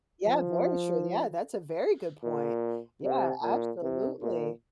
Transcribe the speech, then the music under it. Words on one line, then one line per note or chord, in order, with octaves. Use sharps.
Yeah, very true. Yeah, that's a very good point. Yeah, absolutely.
F3
A#2
C3
A#2
C3
A#2